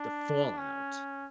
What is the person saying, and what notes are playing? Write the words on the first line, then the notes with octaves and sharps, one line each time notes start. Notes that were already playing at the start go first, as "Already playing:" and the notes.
the fallout.
Already playing: D4
C#4